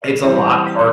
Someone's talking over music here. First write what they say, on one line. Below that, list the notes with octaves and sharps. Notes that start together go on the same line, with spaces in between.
it's a lot harder
E3 G3 C4 E4